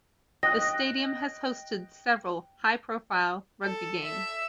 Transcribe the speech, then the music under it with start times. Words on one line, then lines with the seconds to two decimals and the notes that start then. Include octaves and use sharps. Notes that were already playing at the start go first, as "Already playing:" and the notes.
The stadium has hosted several high profile rugby games.
0.43 D#5 G5 F#6 A#6
3.63 A4
4.03 E5